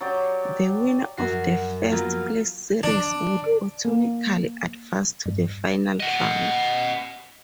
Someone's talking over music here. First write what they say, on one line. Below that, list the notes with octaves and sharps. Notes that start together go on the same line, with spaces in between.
The winner of the first place series would automatically advance to the final round.
F#3 G4 D5
F#2 F#4 C7
F#3 A#3 B3 F4
D4
A#3
G2
D#5 F#5